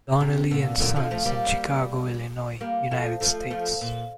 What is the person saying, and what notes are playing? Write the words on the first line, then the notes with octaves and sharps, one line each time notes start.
Donnelley and Sons in Chicago, Illinois, United States.
C3
A#2 D3
A#2 D3
D3 F3
F3 A3
G3 A#3
G3 A#3
F3 A3
F3 A3
F3 A3
A#2